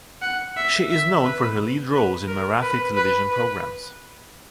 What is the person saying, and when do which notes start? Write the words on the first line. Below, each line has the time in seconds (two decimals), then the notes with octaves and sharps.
She is known for her lead roles in Marathi television programs.
0.22 F#5
0.57 E5
0.90 E5
1.24 B4
1.93 B4
2.28 A#4
2.62 B4
2.96 B4
3.31 B4